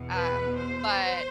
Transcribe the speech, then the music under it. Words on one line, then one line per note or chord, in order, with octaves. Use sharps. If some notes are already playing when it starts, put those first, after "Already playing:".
um, but
Already playing: E2 B2
B4
C5